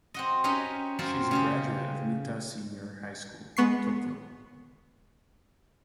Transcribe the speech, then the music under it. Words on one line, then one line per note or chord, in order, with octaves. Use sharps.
She is a graduate of Mita Senior High School, Tokyo.
C4 F#4 D#5
C#4 D#4 G4 B4 C#5 D#5
F#2 C4 F4 F#4
C#3 C#4 G4
G#3 B3 C#6 C7